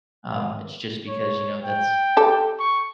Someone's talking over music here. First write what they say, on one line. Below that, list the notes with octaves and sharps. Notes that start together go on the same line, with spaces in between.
Um, it's just because, you know, that's
C#5
G5
G4 A4
C#6